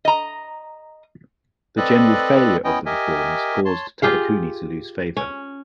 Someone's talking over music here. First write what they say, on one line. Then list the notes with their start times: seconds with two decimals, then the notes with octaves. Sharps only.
The general failure of the Reforms caused Tadakuni to lose favor.
0.05 D#5 A#5
1.77 C4 A4 B4 D5 D#5 F#6
2.64 B3 C#4 E4 D#5 G5
2.86 G4 A#4 D#5 E5 G#5
3.65 C#5 A5 C6
4.02 F4 G4 G#4 F5
5.17 C#4